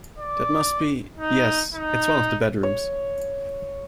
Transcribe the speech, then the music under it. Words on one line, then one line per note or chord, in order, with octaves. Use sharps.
That must be — yes — it's one of the bedrooms.
D5
D#4
D#4
C#5